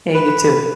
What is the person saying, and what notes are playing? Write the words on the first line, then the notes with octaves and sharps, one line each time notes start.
Hey, you too.
B4